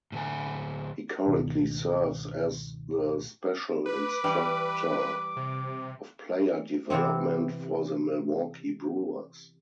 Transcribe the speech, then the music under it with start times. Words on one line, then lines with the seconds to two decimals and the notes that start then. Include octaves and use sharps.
He currently serves as the special instructor of player development for the Milwaukee Brewers.
0.12 A2 D3 G#5
1.26 C#2 G#2 B2 D#3
3.86 B4 D6
4.24 E3 G3
5.36 C3
6.90 C3 E3 B3 C4